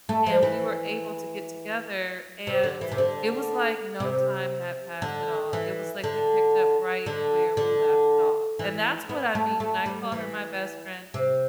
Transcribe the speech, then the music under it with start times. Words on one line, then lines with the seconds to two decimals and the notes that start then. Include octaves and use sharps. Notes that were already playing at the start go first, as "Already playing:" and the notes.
and we were able to get together. And it was like no time had passed at all, it was, like, we picked up right where we left off. And that's what I mean when I call her my best friend.
0.09 A3
0.26 F3
0.43 E3
2.47 C3
2.63 D3
2.81 E3
2.92 C3
2.98 D3
4.00 C3
5.02 D3
5.53 E3
6.04 D3
7.06 D3
7.57 D3
8.59 E3
9.09 B3
9.35 A3
9.60 A3
9.86 G3
10.12 E3
11.14 C3